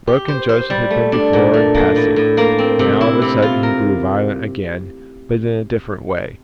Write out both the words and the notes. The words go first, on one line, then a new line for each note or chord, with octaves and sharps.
Broken Joseph had been before and passive; now of a sudden he grew violent again, but in a different way.
G4
C5
C5
G3
A3
D4
A#2
A3
A#3
A2
A2
A#3
C4
C3
E4
C3
F4
A#4